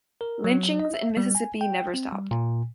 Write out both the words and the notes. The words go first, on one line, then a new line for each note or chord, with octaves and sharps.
Lynchings in Mississippi never stopped.
A#4
F#3
D#5
E5
G3
G#5
G5
C4
G3
A#2